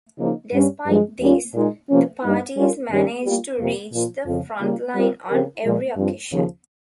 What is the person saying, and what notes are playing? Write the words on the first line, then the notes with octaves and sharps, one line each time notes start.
Despite this, the parties managed to reach the frontline on every occasion.
C#3 F3 A#3 D#4
G2 G3 C#4
G2 F3 G#3
D#2 D#3 G3 C#4 F4
A#2 G#3 D#4
C3 F3 A#3 C#4
G2 G3 A#3 D#4
G3 C#4 F4 A#4
G2 D#3 G3 C#4 G4
G3 A#3 F4
F2 C3 F3 A#3
A#2 F3 A#3
F2 C#3 F3
C#3 G3 A#3 F4
G3 C4 F4 A#4
C#3 F3 C4 G4 A#4
A#2 F3 G#3
G2 F3 C4
D#2 C#3 F3